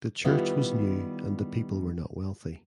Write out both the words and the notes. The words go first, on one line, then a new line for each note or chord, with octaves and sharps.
The church was new and the people were not wealthy.
D#3 G3 B3 E4 F4